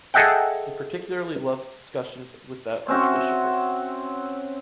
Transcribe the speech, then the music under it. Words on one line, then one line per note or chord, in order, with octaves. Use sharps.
He particularly loved discussions with that archbishopric.
G#4 A4 D#5 E5 F#5 G5
C4 C#4 F#4 E5